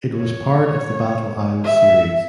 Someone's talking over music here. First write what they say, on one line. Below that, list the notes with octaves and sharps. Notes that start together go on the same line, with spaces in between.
It was part of the "Battle Isle" series.
C#5
E5